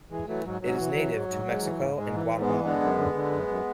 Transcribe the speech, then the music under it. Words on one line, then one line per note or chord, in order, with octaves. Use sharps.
It is native to Mexico and Guatemala.
E3 G#3
E3 F#3 A3
G#2 F#3
G#2 F#3
E3
E3
G#2
G#2
G#2
E3
G#2
G#2 G#3
E3
G#2
G#3 B3
E3
D3 G#3 B3
F#2
D3
D3
F#2
F#2